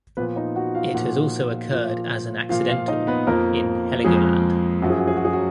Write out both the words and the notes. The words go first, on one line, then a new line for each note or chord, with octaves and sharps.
It has also occurred as an accidental in Heligoland.
A#2 F3 B3 B4
D#4 D#5
F#4 F#5
F4 F5
A#2 F3 F#4 F#5
A#2 F3
A#2 F3 F4 F5
F4 F5
D#4 D#5
B3 B4
F2 F3 A#3 A#4
F2 F3 G#3 G#4
F#2 F3 F#4
G#4
F#4
G#4
F#4
G#4
F#3 F#4